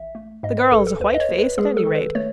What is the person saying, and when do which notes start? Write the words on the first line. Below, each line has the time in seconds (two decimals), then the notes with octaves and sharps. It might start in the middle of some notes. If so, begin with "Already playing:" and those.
The girl's a white face at any rate.
Already playing: A1 E5
0.15 A3
0.43 G#2 D#5
0.58 B4
0.72 A1 A4
0.87 A4
1.00 D#2 B4
1.14 D#5
1.20 C#5
1.29 D#2
1.38 B4
1.58 G#3 G#4
1.77 A4
1.87 D#3
1.95 B4
2.15 A3 C#5